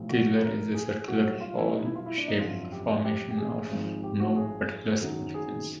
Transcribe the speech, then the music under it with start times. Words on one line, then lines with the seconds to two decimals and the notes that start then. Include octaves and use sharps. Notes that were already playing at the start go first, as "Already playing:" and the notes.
Theiler is a circular, bowl-shaped formation of no particular significance.
Already playing: B1 A2 F3
0.10 F#4
0.42 A#4
0.75 G#4
1.08 B1 B2 G3 F#4
1.41 F4
1.57 E4
1.74 D#4
1.85 E4
1.96 F4
2.06 E4
2.18 D4
2.28 D#4
2.39 G#1 F#2 D3 F3 F4
2.72 G4
3.05 G4
3.31 G4
3.38 G#4
3.70 G#1 G#2 F3
4.03 G4
4.20 F#4
4.36 G#4
5.02 F#1 F#2 D#3 F#3
5.34 G#4